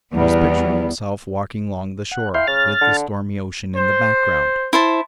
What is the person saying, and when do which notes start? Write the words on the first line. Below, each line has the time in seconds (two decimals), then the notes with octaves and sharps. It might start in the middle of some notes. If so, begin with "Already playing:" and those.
He was picturing himself walking long the shore, with the stormy ocean in the background.
0.13 E2 G3 B3
2.12 F#5
2.34 E4 F5 G5 C6
2.47 C#3 F6 A6
2.81 D3
3.76 C5
4.73 E4 C5 A5